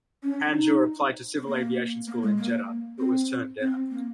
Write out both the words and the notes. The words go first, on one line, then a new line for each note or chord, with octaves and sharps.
Hanjour applied to civil aviation school in Jeddah, but was turned down.
C#4
D#4
C4
A#3
A#3
G#3
A#3
C4
C4
A#3